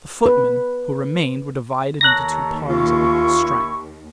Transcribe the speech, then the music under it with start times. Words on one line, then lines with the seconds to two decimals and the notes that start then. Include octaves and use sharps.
The footmen who remained were divided into two parties of equal strength.
0.26 B4
2.01 D#2 A4 C#5 A#5 F#6 A#6
2.69 E4 F4 C#6